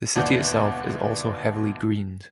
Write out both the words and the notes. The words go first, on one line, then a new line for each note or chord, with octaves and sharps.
The city itself is also heavily greened.
G1 D#2 B2 D5 F#5 G6